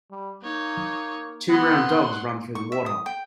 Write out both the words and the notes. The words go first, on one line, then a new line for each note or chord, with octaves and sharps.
Two brown dogs runs through the water.
G3
A#3 D#4 C#5
B3 F#5 C6
C#6
E5
D#6
G5